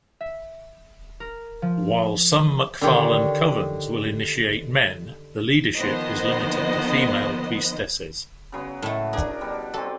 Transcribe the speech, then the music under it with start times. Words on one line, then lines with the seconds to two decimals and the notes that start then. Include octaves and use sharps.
While some McFarland covens will initiate men, the leadership is limited to female priestesses.
0.21 E5
1.20 A#4
1.62 F3
2.81 D3 D#3 G4 C#5
5.77 D#3 F3 B3 C5 D#5
8.52 C#3 F#3 B3
8.82 A2 A3
9.13 D4 G#4 A#4
9.41 B2 G3
9.74 F#3 C4 A4